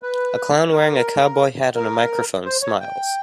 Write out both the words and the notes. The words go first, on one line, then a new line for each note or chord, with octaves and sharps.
A clown wearing a cowboy hat and a microphone smiles.
B4
A#4
A#4
C5
C#5
G5